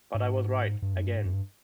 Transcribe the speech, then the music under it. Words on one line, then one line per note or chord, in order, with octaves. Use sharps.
But I was right - again!
G#2
G2
F#2
G2
G#2
F#2
G2